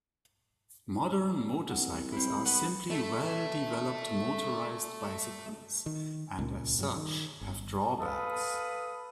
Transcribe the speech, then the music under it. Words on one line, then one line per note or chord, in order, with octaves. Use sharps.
Modern motorcycles are simply well-developed motorized bicycles, and as such have drawbacks.
C2 F#5
C4 E4 B5
B4 F#5 B5
A3 A4
D#3
C#2 A#2
G2 F#3
D#3
G1
A4 B4 F5 D#6